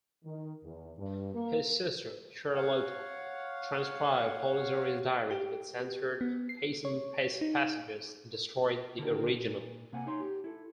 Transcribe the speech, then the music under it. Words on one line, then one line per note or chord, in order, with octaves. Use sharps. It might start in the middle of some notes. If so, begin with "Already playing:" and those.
His sister Charlotte transcribed Polidori's diaries, but censored "peccant passages" and destroyed the original.
D#3
E2
G2
A#3
C#5 F5 F#5
G4
B3
C7
C#5
D#4
D3 D#3 A#3 B3 F#4 G4
A#2
C3 A#3 F#5 G#5
D#4 C#5 C6
G4
E4 A4